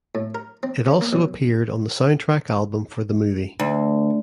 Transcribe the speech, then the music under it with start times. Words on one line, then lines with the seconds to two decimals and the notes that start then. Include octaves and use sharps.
It also appeared on the soundtrack album for the movie.
0.15 A2
0.35 A#4
0.63 C4
0.86 C#4
1.01 A#3
1.13 B1
3.60 D2